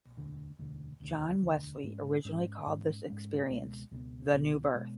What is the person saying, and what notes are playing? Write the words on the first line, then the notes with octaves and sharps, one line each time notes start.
John Wesley originally called this experience the New Birth.
E1 D2 D3
E1 D2 D3
E1 D2 D3
E1 D2 D3
G#2 G#3 C#4
G#2 G#3 C#4
G#2 G#3 C#4
G#2 G#3 C#4
C#2 B2 G#3 B3
C#2 B2 G#3 B3
C#2 B2 G#3 B3
B2 G#3 B3